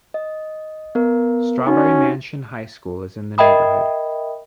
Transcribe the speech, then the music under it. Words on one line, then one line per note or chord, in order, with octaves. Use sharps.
Strawberry Mansion High School is in the neighborhood.
D#5
B3 A#4
C#4 D#4 F#4
A#4 D#5 E5 G5 B5 D#6